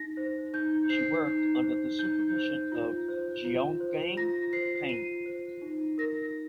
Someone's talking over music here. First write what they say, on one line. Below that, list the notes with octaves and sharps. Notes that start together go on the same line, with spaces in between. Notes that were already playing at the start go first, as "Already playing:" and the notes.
She worked under the supervision of Xiaogang Peng.
Already playing: D#4 A#6
C5
D#4 G6
C5 C7
D#4
C5
D#4 G6
C5
F4
C5
F4
C5
F4 A#6
C5 C7
F4 D#7
C5
D#4
A#4 A#6